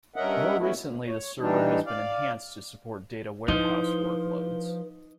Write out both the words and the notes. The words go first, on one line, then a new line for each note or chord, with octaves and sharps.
More recently the server has been enhanced to support data warehouse workloads.
G2 C#4 A#4 D#5 E5 F#5
A3 B3 C#4 E4 F#4
D2
C#5
E3 G3 D4 D#4
D5 F5
F3 D#4 E4 B4 C5